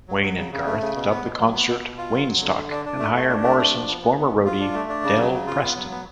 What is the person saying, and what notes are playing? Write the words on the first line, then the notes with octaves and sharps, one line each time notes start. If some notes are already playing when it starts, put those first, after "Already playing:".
Wayne and Garth dub the concert "Waynestock" and hire Morrison's former roadie, Del Preston.
F#3
F#3
C#3
C#3
A3
C#3
B2
B3
B2
F#3
B3
B2
B2
F4
F#3
F#3
D3
D3
D4
D4
A3
A3
D4
A3
D4
F3
B3
B3
B3
B2
F4
D4
A3
D4
C#3
F#3
C#3
F4
B3
F#3
B3